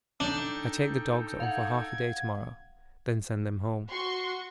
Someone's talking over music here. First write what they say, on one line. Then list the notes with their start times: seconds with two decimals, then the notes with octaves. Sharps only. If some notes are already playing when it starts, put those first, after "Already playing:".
I take the dogs on for half a day to-morrow, then send them home.
0.20 D4 D#4 A4 G5
1.40 F5 F#5 G#6
3.89 F#4 C6 C#6